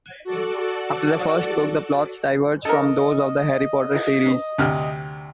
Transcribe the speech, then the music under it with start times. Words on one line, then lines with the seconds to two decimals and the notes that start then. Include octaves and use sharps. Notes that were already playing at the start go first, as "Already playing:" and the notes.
After the first book, the plots diverge from those of the Harry Potter series.
0.24 F#4 A4 D5
2.65 A4 A#4 D#5
4.58 D2 C3 F6